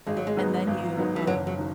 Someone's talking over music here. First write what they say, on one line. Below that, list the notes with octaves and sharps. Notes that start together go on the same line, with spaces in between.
and then you, um,
G#1 G#3
F#3
G#3
G#2 F#3 B3 D#4
G#1
G#2 F#3 B3 D#4
E3
F#1 F#3
F#3
D#3 F#3